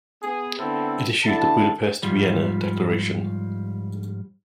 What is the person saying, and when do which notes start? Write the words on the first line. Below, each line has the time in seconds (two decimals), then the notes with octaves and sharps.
It issued the Budapest-Vienna Declaration.
0.23 B3 G#4
0.58 D3 B3 C4 E4 A4
1.25 D3 E4 A5
2.03 G#2 F3 G3